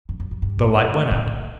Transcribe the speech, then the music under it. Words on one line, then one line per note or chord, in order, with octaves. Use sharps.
The light went out.
F#2
F#2
F#2
G2
A2